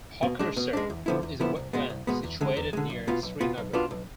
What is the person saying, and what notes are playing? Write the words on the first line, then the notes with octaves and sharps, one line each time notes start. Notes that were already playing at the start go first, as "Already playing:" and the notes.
Hokersar is a wetland situated near Srinagar.
B2
G#3 D4
B2
G#3 D4
E2
D3 F3 B3 E4
E2
D3 F3 B3 E4
C2
B2 G#3 B3
C2
B2 G#3 B3
E2
D3 G#3
E2
D3 G#3
B1
B2 B3 F4
B1
B2 B3 F4
B1
B2 B3 D4 F4
B1